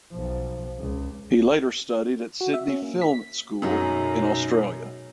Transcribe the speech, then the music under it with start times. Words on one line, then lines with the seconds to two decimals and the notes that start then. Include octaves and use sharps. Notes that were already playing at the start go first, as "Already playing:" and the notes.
He later studied at Sydney Film School in Australia.
0.12 B1 F3
0.79 C#2
2.41 F#4
2.54 E5
2.69 C#4
2.82 A#3
3.02 B6
3.62 F#2 B2 F#3 G#3 D#4 A4